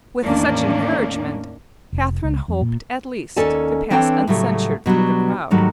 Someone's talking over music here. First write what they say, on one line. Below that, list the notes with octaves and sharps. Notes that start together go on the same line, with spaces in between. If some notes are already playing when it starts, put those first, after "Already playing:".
With such encouragement, Catherine hoped at least to pass uncensured through the crowd.
E2 A2 D#3 A#3 C#4 D4
F1
C#2
F2
A#2
D#2 C#4 A4 D5 G#5 A5
E3 C4 D4 A4 C#5 G5
A2 C#3 F#3 G3 A3
B2 F#3 G3 D4
G#2 D#3 F#3 G3 A3